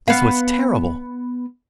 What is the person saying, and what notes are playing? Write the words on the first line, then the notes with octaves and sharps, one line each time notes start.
This was terrible!
B3 F5